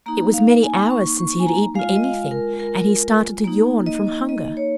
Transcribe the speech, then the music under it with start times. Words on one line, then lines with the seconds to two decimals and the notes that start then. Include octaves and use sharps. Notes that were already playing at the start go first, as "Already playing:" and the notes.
It was many hours since he had eaten anything and he started to yawn from hunger.
0.06 A#3 D#4 A#5
0.34 F5
0.63 G#5
0.91 C#6
1.19 C#6
1.39 G#5
1.46 A#5
1.75 G#3 F4 F5
1.96 D#5
2.03 F5
2.31 A#4
2.59 A#4
3.44 A#3 D#4
3.86 D#5
4.29 D#5
4.57 C#5